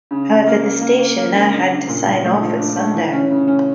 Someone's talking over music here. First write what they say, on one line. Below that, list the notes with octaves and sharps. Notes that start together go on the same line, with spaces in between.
However, the station now had to sign off at sundown.
C#3
C#3
A#3
A#3
A#3
A#3
A#3
C#3
D4
D4
A#2
A#2
A3
F3
D4
A3
E3
C#4
C#3
C#4